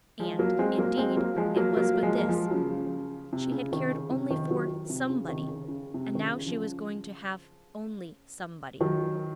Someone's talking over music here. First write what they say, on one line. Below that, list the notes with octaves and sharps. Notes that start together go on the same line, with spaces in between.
And, indeed, it was but this: she had cared only for Somebody, and now she was going to have only Somebody.
F3 G#3
F#3 A#3
G#3 C4
F#3 A#3
G#3 C4
F#3 A#3
F3 G#3
F#3 A#3
F#3 A#3
F3 G#3
A#3
F3 G#3
F#3
C#3 F3
C3
C#3
C3 D#3
C#3
C3
C3 D#3
D#3 F#3
C3
C#3
C3 D#3
C#3
C#3
C3
D#3
C#3
C#3 F3
D#3 F#3